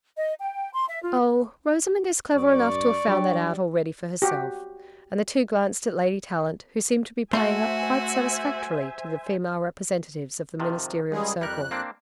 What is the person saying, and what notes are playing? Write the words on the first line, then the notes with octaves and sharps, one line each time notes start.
'Oh, Rosamond is clever enough to have found that out already for herself;' and the two glanced at Lady Tallant, who seemed to be playing up quite satisfactorily to the female representatives of the Ministerial circle.
D#5
G5
C6
E5
F4
F#2 D5 C#6
F#3 D4 G4
F#4 G4
A3 F#4 C5 E5 G#5 C6
C3 D#3 F3
C#2 G3 G#3 G#4
F2 G3 A#4 F#6
A#3 C4 D4